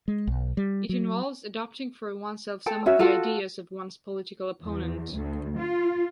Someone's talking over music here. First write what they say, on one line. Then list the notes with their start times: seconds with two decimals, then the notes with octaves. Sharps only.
It involves adopting for oneself some of the ideas of one's political opponent.
0.08 G#3
0.27 B1
0.57 G3
0.89 F#3
2.66 A4 G5 A5
2.86 C#4 F#4 E5
2.99 F4 F#4 A4
4.63 E2
5.13 D2
5.58 F4